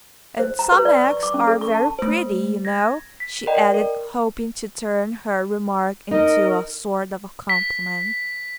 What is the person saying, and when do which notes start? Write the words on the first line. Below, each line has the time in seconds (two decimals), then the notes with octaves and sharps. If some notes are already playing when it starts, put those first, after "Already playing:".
'And some eggs are very pretty, you know' she added, hoping to turn her remark into a sort of a compliment.
0.39 C5
0.59 A#5
0.72 B4
0.85 D5
1.04 C#6
1.23 D6
1.34 C#4
1.47 A4
1.61 C#6
1.75 A5
1.99 A3 C5
2.65 G#6 A#6
3.20 B6
3.47 A#4 D5 D#5 G5 A#5
3.74 A#4
6.11 D#4 A#4 D#5
7.49 B6